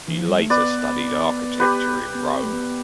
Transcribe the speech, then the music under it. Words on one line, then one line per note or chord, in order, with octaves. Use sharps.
He later studied architecture in Rome.
E3
F3
G3
A3
B3 B4 D5
G4 B4
B3
C4
A3
B3